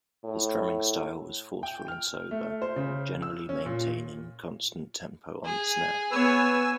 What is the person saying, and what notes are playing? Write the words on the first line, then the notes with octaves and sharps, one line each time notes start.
His drumming style was forceful and sober, generally maintaining constant tempo on the snare.
A2
G5
F6
A3
C5
C#3
E6
C#4
A#2
G#4
B3 B4 C#5 G#5 E6